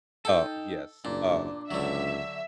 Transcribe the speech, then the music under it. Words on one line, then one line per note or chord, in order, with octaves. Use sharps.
Uh, yes, um,
D#4 A4 G5 A5
F#1 A#2 D4
C#2 D3 F#3 E5